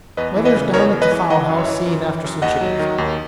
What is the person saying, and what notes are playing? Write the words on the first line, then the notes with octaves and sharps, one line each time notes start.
Mother's down at the fowl-house seeing after some chickens.
E2 B4 D#5
E3
B4 D#5
C#3
E2 A#4 C#5
E2
B4 D#5
E3
E3 D#5 F#5
F#2
C#5 E5
E3
F#2
E3
F#2
D#2 D#5 F#5
F#3
D#3
D#2